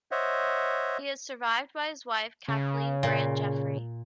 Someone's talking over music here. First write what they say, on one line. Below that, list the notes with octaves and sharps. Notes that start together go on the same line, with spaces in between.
He is survived by his wife, Kathleen Grant Jeffrey.
C5 C#5 D#5 E5 F#5
C#3
A#2